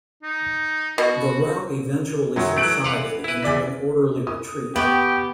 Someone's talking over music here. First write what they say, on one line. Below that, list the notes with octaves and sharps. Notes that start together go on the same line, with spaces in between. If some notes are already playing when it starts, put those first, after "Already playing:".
The rout eventually subsided into an orderly retreat.
D#4
B2 F#4
F#2 D#3 F#3
E3 F#3 A3 D7 F#7
B4 F5 F#5
E4 B4
E2 D5 B6
D#6
B3 G4 G5 C#6